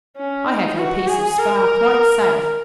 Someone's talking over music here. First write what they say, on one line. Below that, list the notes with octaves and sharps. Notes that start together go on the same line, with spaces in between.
I have your piece of spar quite safe.
C#4
D#4
F#4
G#4
A#4